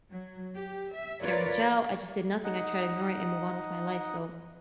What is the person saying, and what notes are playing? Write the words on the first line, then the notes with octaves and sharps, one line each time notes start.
reach out, I just did nothing, I tried to ignore it and move on with my life, so,
F#3
G4
E5
F4 A#4 B4 C#5 D5
D#4 D#5 F#5